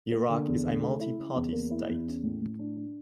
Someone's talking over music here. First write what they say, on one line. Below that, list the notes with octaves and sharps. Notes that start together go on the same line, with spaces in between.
Iraq is a multi-party state.
A#3
D3
E2
D3
A3
E4
C#3
E2
A#3
E4
E2
C#4
A2
A2
D4
D4